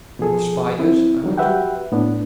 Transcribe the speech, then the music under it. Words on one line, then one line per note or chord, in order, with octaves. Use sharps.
"Or spiders?" I went on.
B2 F3 G#4 A4
C4 E4
D#3 F#3 G3
F#4 G4 B4 E5 F#5 G5
A2 B3 D4